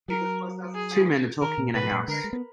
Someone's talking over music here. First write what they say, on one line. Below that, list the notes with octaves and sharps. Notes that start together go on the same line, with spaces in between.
Two men are talking in a house.
F#3 A#4
G#4
D#3 A#4
A#2
B2 B4
A#2
D3 A#4
G#3
B3